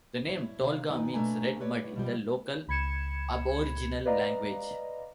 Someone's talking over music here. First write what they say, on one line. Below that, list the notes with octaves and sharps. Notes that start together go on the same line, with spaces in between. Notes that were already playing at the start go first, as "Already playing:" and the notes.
The name Tolga means "red mud" in the local Aboriginal language.
G2 E4 C#5
C3 D#3 E5 F5
G2 D#3 B3 D#4 G#5
B2 A3 A#3 D4 G#5 A#5
A3 G4 B4 C#5 D5
B2 F3 G3
C#2 B5 G#6 C#7 E7
B4 D5 D#5 F5 A#5